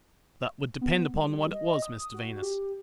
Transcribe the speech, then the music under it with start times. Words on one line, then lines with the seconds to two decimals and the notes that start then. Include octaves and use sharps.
'That would depend upon what it was, Mr Venus.
0.81 B3
1.14 G3
1.53 D#5
1.82 D#6
2.14 F#4
2.42 G4